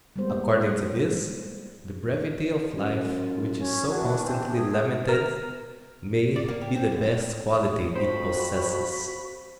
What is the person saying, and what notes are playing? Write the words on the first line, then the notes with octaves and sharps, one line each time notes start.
According to this, the brevity of life, which is so constantly lamented, may be the best quality it possesses.
G3 G#3 A#3 B3 C5
F#2
F4
C#4
D#3 E3 D4 F#4
C4
G#4
A#4
D5
A#3
G4
C4
C2
F2 F#4 C5 B5